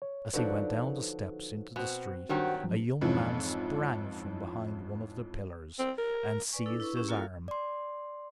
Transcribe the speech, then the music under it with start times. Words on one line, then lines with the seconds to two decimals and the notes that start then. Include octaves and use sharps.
As he went down the steps into the street, a young man sprang from behind one of the pillars, and seized his arm.
0.02 C#5
0.33 D3 F3 F#3 D4 D#4 A4 B4
1.76 B2 C4 F#4
2.29 G2 D#3 F#3 F#4 G4 C5 F#5
2.63 G#2 F3 F#3
3.01 F2 G#2 E3 F3 C#4 E4
5.79 C4
5.98 A#4
6.52 B4 D5 G#5 C#6
6.66 D4 E4 A4
6.80 E4 B4 C#6
6.96 C#4 E4 G4 G#4
7.08 A#3 F4 F#4 A4 A#4 F5
7.48 D5 C6